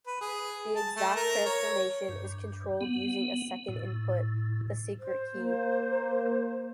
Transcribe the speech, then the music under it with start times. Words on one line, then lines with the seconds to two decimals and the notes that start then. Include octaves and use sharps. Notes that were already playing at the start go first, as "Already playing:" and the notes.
The exact transformation is controlled using a second input - the secret key.
0.07 B4
0.21 G#4
0.76 A5
0.96 A3
1.16 A#4
1.46 C#5
2.09 G2
2.81 B3
3.68 A2
4.99 C5
5.35 A#3